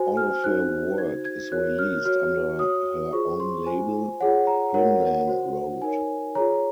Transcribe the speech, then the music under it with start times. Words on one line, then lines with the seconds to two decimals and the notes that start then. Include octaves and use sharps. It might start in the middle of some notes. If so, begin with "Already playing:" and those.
All of her work is released under her own label, Quinlan Road.
Already playing: F#4 C5 G#5
0.17 F6
0.44 D#4 F#4 C5 F#6
0.98 D#4 F#4 C5 G#6
1.25 G#6
1.51 F#4 A#4 C#5 F#6
1.79 F6
2.05 F#4 C#5 F6
2.59 F#4 C#5 D#6
3.13 F4 G#4 C5 C#6
3.40 C6
3.66 F4 C5 G#5
4.20 F4 G#4 C#5 F#5
4.47 A#5
4.74 F#4 A#4 C#5 F#5
5.01 F#5
5.28 F#4 C5
5.82 D#4 A#4 C#5 G#5
6.35 F4 G#4 C#5 A#5